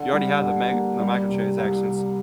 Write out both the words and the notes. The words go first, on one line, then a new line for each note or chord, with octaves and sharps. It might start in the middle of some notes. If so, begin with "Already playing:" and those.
you already have the meg the microtransactions,
Already playing: D3
G3
D3
A#3
G3
C3
C2
C3